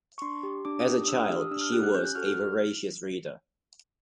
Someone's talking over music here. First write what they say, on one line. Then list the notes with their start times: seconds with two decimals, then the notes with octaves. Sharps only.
As a child, she was a voracious reader.
0.18 C#6
0.22 D4 C6
0.43 G4
0.65 D4 D6
0.80 D#6
0.86 G4
1.04 D#6
1.08 D4 E6
1.19 F6
1.29 G4 E6
1.40 D#6
1.51 D4 E6
1.61 F6
1.72 G4 F#6
1.83 F#6
1.94 C#4 G6
2.05 F#6
2.15 F#4 A4 F6
2.26 F6